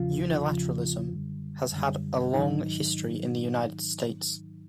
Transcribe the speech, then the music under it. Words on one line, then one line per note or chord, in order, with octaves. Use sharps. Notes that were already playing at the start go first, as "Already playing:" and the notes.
Unilateralism has had a long history in the United States.
Already playing: E2 C#3 F3 F4
E2 C#3 F3
F#2 D3 G3
F#2 D3 G3
G#2 D#3 F#3 D#4